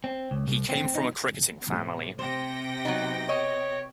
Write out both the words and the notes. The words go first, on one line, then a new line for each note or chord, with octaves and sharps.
He came from a cricketing family.
C4
C#2
C2
C4
D#4
A2 C3
C3 C5 G5 A#6
F#3 B3 D#4
C#5 D#5